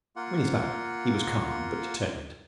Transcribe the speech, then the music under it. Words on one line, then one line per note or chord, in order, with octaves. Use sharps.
When he spoke he was calm, but determined.
A#3 F4 F#5